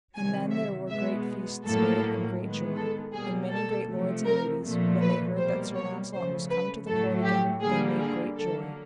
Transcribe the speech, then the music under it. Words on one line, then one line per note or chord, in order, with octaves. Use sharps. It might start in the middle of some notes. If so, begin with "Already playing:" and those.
And then there were great feasts made and great joy; and many great lords and ladies, when they heard that Sir Launcelot was come to the court again, they made great joy.
C3 D#3 F#3 G#5
E5
B2 G#3 B3 E5
A2 F#3 A#3 A4
D#3 G#3 B3
A4
B2 G3 A#3 G#4
A4
C3 F3 A3
A#4
A#2 F3 A3
B4
B2 G3 A#3 C5
C#5
C#3 F3 A3 C5
B4
A2 F#3 A3 A4
G4
D3 G3 A#3 G#4
G#4
D3 F#3 A#3 A4